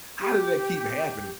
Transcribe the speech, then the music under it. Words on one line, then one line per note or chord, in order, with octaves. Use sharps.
how does that keep happening?
G4